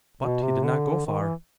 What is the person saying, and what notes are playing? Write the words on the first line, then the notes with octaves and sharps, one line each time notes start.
But he did not go far.
B2
C3
D3
D#3
E3